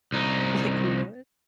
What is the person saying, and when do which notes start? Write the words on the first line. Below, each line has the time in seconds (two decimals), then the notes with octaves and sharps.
Like, what?
0.12 C2 D#4